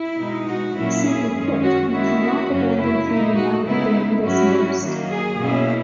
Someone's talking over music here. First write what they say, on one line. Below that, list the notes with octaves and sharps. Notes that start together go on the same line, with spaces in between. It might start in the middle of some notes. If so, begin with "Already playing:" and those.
Simply put, we cannot abandon Haiti now that they need us most.
Already playing: E4
B2 G#3 D#4
F#4
A#2 F#3 A#3 C#4 E4
G#4
F#2 D#3 G#3 C#4
F#4
D#3 G#3 C#4 E4 F#4
F#4
F#2 C#3 F#3 C#4
E4
A#2 A#3 D#4
F#4
C#3 G#3 B3 D#4 E4
G#2 F#3 C#4 E4 F#4
D#3 F#3 A#3
G#4
B2 A#3 C#4 E4